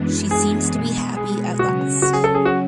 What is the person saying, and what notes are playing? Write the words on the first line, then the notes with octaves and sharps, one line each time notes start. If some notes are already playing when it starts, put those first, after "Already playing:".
She seems to be happy at last.
Already playing: F#2 E3 G#3 B3 D4
G#4
B2 G#3 B3
G#4
C#3 F#3 C#4 F#4
F#4
G#4
A4
G#4
F#4